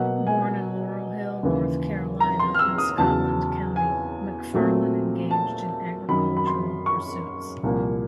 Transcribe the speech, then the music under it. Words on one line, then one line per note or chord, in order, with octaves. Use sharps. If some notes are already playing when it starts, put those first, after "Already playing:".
Born in Laurel Hill, North Carolina in Scotland County, McFarlan engaged in agricultural pursuits.
Already playing: B2 F#3 A#3 F#5
G#5
D#2 C#3 E3
A#5
C6
F6
E6
D#6
E2 C#3 F#3 A5
G#5
A#2 F#3 A3 C4
A5
F#2 D#3 F#3 B5
B5
C6
C#6
C2 A#2 F3 A#3